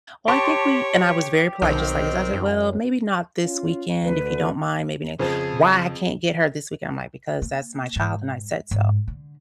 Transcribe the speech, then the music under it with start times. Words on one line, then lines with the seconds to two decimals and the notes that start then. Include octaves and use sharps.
"Well, I think we" and I was very polite just like this, I said, "Well, maybe not this weekend. If you don't mind, maybe ne" "Why I can't get her this weekend?" I'm like, "Because that's my child, and I said so."
0.28 G4 C#5 A5 C6 C#6
1.62 B1 D#3 C4
2.34 F#2
3.42 C#4 F4
4.04 D2 B4
5.20 F2 C#3 F3 G#4 B4 C5 A5
7.42 A#3
7.96 G#2
8.71 G#2
9.08 D3